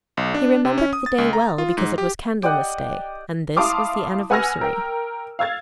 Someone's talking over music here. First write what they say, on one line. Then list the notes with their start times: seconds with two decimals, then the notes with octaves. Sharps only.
He remembered the day well because it was Candlemas day, and this was the anniversary.
0.17 B1
0.34 D4
0.65 C3
0.78 C#4
0.93 D#6
1.06 A6
1.18 C#2
1.33 A#5
1.58 F4
1.77 G#2
1.98 G4
2.43 G4 D5 D#5 F#5
3.57 E4 F5 A5 C6 D6 D#6
4.30 B4 F#5 G#5 E6 F6 A#6
4.61 A#4 G5
5.39 F5 E6 G#6 A6